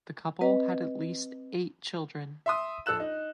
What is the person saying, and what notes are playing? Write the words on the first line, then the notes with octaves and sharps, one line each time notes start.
The couple had at least eight children.
C4 B4 D#5
E5 C6 D#6
A#1 A4 E6 F#6 E7
D#4